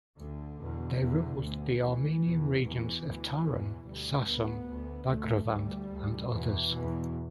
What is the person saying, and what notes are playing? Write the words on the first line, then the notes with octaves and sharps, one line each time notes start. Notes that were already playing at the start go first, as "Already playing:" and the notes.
They ruled the Armenian regions of Taron, Sasun, Bagrevand and others.
D2 D3
E2 B2
E2 B2 D3
D2
D2 E3
E2 B2
E2 B2 E3
D2
E2 B2
D2 G3
D2 B3
D2
D2 A3
D2 G3
D2
E2 B2 E3
E2 B2